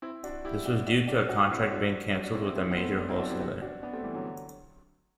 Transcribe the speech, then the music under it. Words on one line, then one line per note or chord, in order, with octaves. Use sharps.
This was due to a contract being cancelled with a major wholesaler.
C4 E4
D4 F#4
E4 G4
D4 F#4
D4 F#4
D4 F#4
D4 F#4
C4 E4
E4
D4 F#4
D4 F#4
D4 F#4
C4 E4
C4 E4
C4 E4
B3
A3 C4
B3 D4
C4 E4
D4 F#4
E4 G4
D4 F#4
D4 F#4
B3 D4
A3 C4
E3 G3
D3 F#3